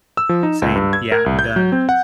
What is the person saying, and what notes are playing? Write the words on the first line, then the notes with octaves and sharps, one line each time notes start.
saying, "Yeah, I'm done."
E6
F3
D#4
C#2
G2
G#6
A#4
C2
G6
F#3
C4
F#5